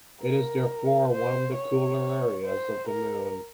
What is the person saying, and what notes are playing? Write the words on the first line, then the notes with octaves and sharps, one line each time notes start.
It is therefore one of the cooler areas of the Moon.
A#4
C5
C#5
C5
A#4